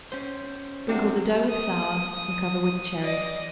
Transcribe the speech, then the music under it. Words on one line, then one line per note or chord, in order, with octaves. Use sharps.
Sprinkle the dough with flour and cover with the cherries.
C#4 C5
C3 D4 F#4
D#6
D5 D#5